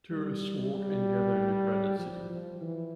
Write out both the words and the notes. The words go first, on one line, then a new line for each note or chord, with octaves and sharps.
Tourists walk and gather in a crowded city.
G3
G3
F3
F3
E3